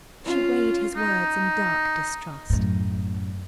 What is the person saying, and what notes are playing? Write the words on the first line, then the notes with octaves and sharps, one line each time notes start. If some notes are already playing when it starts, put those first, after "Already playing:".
She weighed his words in dark distrust.
C#4 F4
D#4
F#2 A2